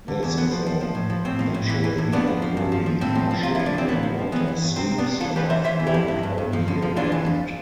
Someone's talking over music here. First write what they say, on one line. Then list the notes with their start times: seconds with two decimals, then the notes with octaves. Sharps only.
This is a naturally-occurring marshland where water seeps above-ground all year round.
0.08 D3
0.23 E2
0.37 F3 B3
0.52 F3
0.66 F3
0.81 F3
0.95 A2
1.10 F3
1.25 A2 C4
1.39 F3
1.54 A2
1.69 E3
1.84 E3
1.98 A2
2.12 F2 B3 D4
2.27 F2
2.42 F3
2.57 G2
2.72 F3
2.86 F3
3.01 A2 C4
3.15 F3
3.31 F3
3.43 C3 F4
3.55 F3 E4
3.66 D4
3.74 E2 C4
3.88 A2 B3
4.03 F3
4.19 F3
4.32 E3 B3
4.48 E3
4.62 G2
4.76 C3 C4
4.91 C3
4.98 B3 D4
5.06 C3
5.20 E3 F4 A4
5.36 E3 G4 B4
5.50 E3 C5 E5
5.64 E3 C5 E5
5.80 E3
5.87 E4 G4
5.94 F2
6.08 G2
6.23 G2
6.38 G2
6.53 F3
6.68 D3
6.82 F3
6.97 E3 D4 F4
7.12 E3
7.26 F2